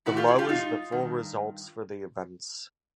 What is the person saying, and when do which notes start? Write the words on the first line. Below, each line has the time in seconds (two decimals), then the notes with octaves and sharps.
Below is the full results for the events.
0.06 D#3 E4 F#4
0.11 G#2
0.17 F4 G4
0.27 F#4 G#4
0.39 F4 G4
0.49 D#4 F4
0.92 G2 D#3